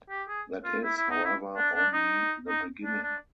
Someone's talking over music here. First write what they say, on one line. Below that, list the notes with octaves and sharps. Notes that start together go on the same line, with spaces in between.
That is, however, only the beginning.
G4
G#4
F4
E4
E4
D#4
E4
D4
D4
D#4
D#4
D4
D4